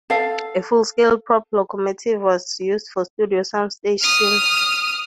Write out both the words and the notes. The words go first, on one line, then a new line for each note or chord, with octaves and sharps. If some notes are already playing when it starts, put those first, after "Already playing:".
A full-scale prop locomotive was used for studio sound stage scenes.
A4 F5
D#6 F6